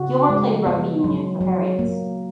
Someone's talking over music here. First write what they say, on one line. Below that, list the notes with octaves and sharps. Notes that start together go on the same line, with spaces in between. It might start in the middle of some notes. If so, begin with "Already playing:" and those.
Gilmour played rugby union for Heriots.
Already playing: C#3 F#4
G#3
B3
F#3
F#3
A#3